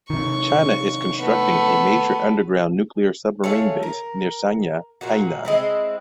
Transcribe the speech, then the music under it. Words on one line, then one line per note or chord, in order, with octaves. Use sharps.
China is constructing a major underground nuclear submarine base near Sanya, Hainan.
C3 D#3 C#6
A3 B3
A3 F4 G#4 C#5
A#4
A#2 A#3 F#4
G#3 C4 E4